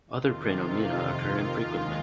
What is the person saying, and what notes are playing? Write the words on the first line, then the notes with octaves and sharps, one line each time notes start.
Other praenomina occur infrequently.
F2 C3 D#3 F4
F4
D#2 D#3 G#3 F4